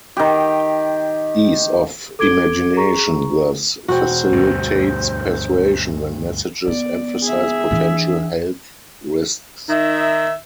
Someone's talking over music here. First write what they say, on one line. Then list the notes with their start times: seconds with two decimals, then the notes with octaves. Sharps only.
Ease of imagination thus facilitates persuasion when messages emphasize potential health risks.
0.17 D#3 G4
2.19 A4 D6 G#6 D7 G7
2.77 G#4 A#5 C#6
3.88 E1 F#4 C5 G5
4.32 D2 G2
6.67 B3 D5
7.24 G#4 E5
7.71 E3 D4
9.70 D#3 D#4 E5